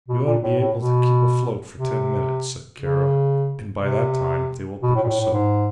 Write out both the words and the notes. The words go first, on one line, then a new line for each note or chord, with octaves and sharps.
"We ought to be able to keep afloat for ten minutes," said Kara, "and by that time they will pick us up."
B2
A#2
A2
A2
B2
C3
C#3
C3
B2
A2
A#2
A2
A2
G#2